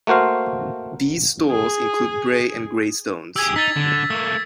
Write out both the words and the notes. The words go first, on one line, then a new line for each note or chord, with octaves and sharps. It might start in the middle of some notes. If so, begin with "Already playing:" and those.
These stores include Bray and Greystones.
A3 A#3 F#4 C5 F5
G#4
G4 G#4 E6 G#6
D#4 A6 B6
D3
A3 A#3 E6